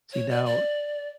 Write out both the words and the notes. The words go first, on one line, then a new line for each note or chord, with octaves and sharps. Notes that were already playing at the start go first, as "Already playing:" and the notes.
see, now
C#5
D5
D5